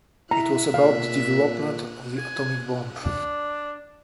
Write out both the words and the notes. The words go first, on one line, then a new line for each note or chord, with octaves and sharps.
It was about the development of the atomic bomb.
E4 E5 A#5
A#2 F5
G#5
D4